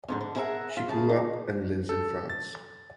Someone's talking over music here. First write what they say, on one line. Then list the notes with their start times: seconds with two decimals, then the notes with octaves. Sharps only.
She grew up and lives in France.
0.08 F2 G#2 D3
0.21 D3
0.36 E4 G#4 A#4 B4 E5 F#5
0.77 F4
0.88 C#3 G#4 A5
1.09 D#4
1.89 A4
2.30 A6